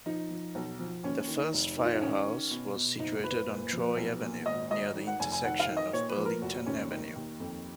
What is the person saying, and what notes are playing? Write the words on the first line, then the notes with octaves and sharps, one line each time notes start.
The first firehouse was situated on Troy Avenue near the intersection of Burlington Avenue.
F3 D#4
F3
B1
F3
D#2 C#4
C#4
D#3
D#4
F1
D#3
F4
D#4
D#3 C#4
D#3
B2
B2
F#1 D#4
F#1 B4
A#2
F3
B1
A#2
G#1 D#5
G#1 D#5
D#3
F#5
F1 G#5
G#5
D#3 F#5
F5
D#3
D#5
A#2 C#5
B4
F3
A#4
F1 F#4
D#2 C#4
D#3 D#4
D#2
F2